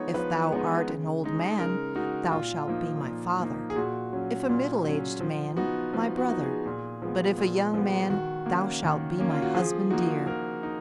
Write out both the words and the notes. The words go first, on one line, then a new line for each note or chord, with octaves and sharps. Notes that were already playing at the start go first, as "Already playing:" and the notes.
If thou art an old man, thou shalt be my father; if a middle-aged man, my brother; but if a young man, thou shalt be my husband dear.
Already playing: F3 G#3 B3 D#4 C#5
F3 B4
G#3 B3 D#4
C#3
G#3 D#4
C#3 A#4
G#3 D#4 F#4
A#2 F4
F3 A#3 D#4
A#2
F3 A#3 D#4
G#4
A#2 F#4
F#3 C#4
A#2
F#3
C#4
F3
B3 D#4 F#4
F3
F#4
B3 D#4
G#4
A#2
F3 G#3 B3
A#2
F3 G#3 B3
D#3 F#4
A#3 C#4
D#3
A#3 C#4
F4
F#4
F3 G#4
A#3 D#4 F#4
F3 A#4
D#4